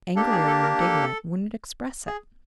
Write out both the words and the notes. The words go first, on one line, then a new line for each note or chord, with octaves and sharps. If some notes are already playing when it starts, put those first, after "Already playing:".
Angry or indignant wouldn't express it.
A#3 D4 G4 A4
G#4
A4
A#4
A4
G#4